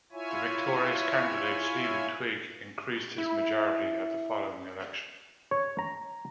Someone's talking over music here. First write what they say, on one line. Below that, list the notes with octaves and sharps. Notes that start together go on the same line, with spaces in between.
The victorious candidate, Stephen Twigg, increased his majority at the following election.
E4 F4 C#5 E5 G#5
E4
C#5
A#5